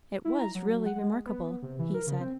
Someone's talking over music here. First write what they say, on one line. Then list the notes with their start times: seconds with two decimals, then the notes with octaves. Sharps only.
"It was really remarkable," he said.
0.25 E4
0.39 A#5
0.55 F#3
0.86 F#5
0.99 G#3
1.26 B3
1.62 C3
1.79 E3
1.94 A#4
2.07 C#3
2.20 C4